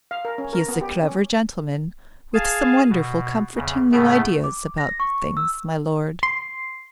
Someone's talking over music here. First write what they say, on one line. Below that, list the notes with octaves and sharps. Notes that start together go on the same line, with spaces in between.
He is a clever gentleman with some wonderful comforting new ideas about things, my lord.
F5
A#4
C#4
A#4
B3
G4
C#4
G#4 F5 G#5 A5
B2
E2 C#3
A2 C#3 A3 B3
D6
A#6
C#6
E6
C6